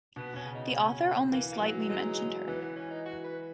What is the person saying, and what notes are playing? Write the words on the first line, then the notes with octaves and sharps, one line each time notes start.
The author only slightly mentioned her.
B2 B3
B2 C#4
C#3
D#4
C#4
E3 A#3
A#3
F#3
G#3 D#4
E3 B3
B3
C#4
D#4
F#4
B4